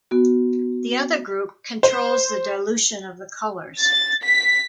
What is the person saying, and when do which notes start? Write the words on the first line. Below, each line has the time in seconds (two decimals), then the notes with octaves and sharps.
The other group controls the dilution of the colors.
0.11 B3 F#4
1.83 C5
3.80 A6
4.23 B6